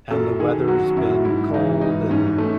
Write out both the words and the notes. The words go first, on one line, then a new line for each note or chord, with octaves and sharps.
and the weather's been cold and
F#2 A4
D#3 G#4
F#3 F#4
F#2 E4
G#2 E4
E3 D#4
G#2 D#4
G#2 C#4
A3